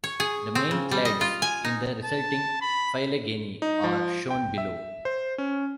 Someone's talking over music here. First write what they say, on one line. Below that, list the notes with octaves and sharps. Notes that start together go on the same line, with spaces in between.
The main clades in the resulting phylogeny are shown below.
C#5
G#4
C4
C#3
G3
D#5
F4
G#5
D#4
A5
B5
D#4
F3
G5
E5
C5
C#4